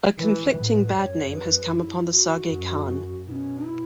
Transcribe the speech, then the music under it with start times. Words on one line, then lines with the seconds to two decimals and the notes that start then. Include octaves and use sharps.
A conflicting bad name has come upon the Sage Khan.
0.19 E3 B4
0.58 A2
0.96 F#2 C#5
1.35 B4
1.73 E4
2.12 F#4
2.50 F#2
3.27 B2 E4
3.31 C#4
3.66 E4